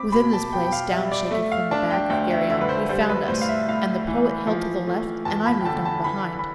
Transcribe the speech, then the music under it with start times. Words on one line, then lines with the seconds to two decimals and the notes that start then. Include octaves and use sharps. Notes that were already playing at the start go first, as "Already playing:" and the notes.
Within this place, down shaken from the back Of Geryon, we found us; and the Poet Held to the left, and I moved on behind.
Already playing: C4 B5 D6
0.12 B2 B5
0.33 A5
0.52 B2 G5
0.65 G5
0.72 F5
0.92 G3 E5
1.11 D5
1.31 A3 E5
1.52 F5
1.71 D4 A5
1.90 G5
2.10 D2 G5
2.30 E5
2.49 D3 E5
2.61 B4
2.69 C5
2.89 G3 C5
3.09 B4
3.28 A2 C5
3.41 F5
3.48 E5
3.68 A2 F5
4.07 E3
4.47 F3
4.87 A3
5.25 E2 A5
5.46 B5
5.60 G5
5.65 D3 A5
5.85 A5
6.04 E3 B5
6.39 B5